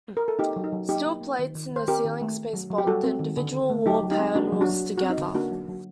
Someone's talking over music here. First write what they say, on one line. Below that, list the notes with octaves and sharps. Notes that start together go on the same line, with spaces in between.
Steel plates in the ceiling space bolt the individual wall panels together.
A#4
A4
A#3 D#4 G4
F#3
D#4
F#3
A#3 D#4 G4
A#3
A#3
D#3
D#3
D#3 C5
C4 G4 A#4
D#3
A3
A3
F#3
F#3
G4
G3 F#4 A4
C4
D#3
D3
D3
A3
F#3 D#4 G4
F#3
D#4 G4
C4
A#3 D4 F#4
F#3
D4 F#4
F#3
F#3
C4 F#4
D#4
D3
A#3 D4 F#4
F#3
F#3